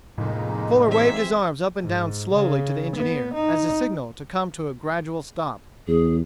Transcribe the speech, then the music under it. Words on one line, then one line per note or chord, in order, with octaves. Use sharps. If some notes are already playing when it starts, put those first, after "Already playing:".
Fuller waved his arms up and down slowly to the engineer as a signal to come to a gradual stop.
F1 F2 A2 G#3 A#3 D#4
E3 C4 G#4 E5
G#2
C#3
B3
D#4
E2 G#4